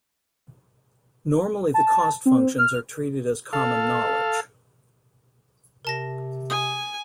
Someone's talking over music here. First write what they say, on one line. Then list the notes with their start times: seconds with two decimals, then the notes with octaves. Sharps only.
Normally the cost functions are treated as common knowledge.
1.74 A5
2.26 C4
2.58 F6
3.53 A4 F5
5.85 C3 A#4 A5 A#6
6.50 G#5 D#6